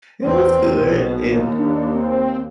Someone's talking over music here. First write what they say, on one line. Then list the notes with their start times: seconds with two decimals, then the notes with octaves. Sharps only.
It was good. And,
0.22 E2 C4
0.81 B1 B2
1.30 D#2
1.59 D4
1.95 C4